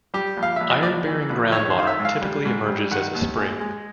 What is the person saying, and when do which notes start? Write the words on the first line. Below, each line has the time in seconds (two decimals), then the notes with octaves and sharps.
Iron-bearing groundwater typically emerges as a spring.
0.14 G3 G4
0.37 A#1
0.43 F5
0.56 A#1 E5
0.70 D#5
0.83 A#1 D5
1.07 E3
1.29 A#1
1.52 D#3 C#5
1.70 C5
1.76 D#3 F5
1.87 E5
1.99 G#2
2.05 F5
2.22 G3
2.45 G#2
2.68 G3
2.91 D#3 F#5
3.15 D#2
3.37 G#3
3.60 G#3